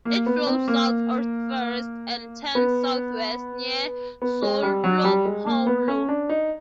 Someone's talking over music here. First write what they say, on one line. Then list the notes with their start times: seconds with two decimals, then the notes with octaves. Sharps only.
It flows south at first, and turns southwest near Soulopoulo.
0.05 A#3
0.26 B3
0.47 C4
0.68 A#3
2.55 B3
4.22 B3
4.42 G#3
4.63 G3
4.84 F#3
5.04 G3
5.25 G#3
5.46 A#3
5.67 B3
5.88 C#4
6.09 D4
6.29 D#4